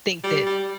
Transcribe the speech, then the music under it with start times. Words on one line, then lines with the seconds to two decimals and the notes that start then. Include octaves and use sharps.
think that
0.24 G3
0.46 G3